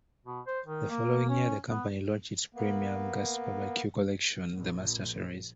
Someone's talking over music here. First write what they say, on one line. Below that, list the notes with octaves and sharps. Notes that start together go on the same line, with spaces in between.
The following year, the company launched its premium gas barbecue collection, the Master Series.
B2
C5
D#3
A#3
C#4
B3
A#3 B3
A#1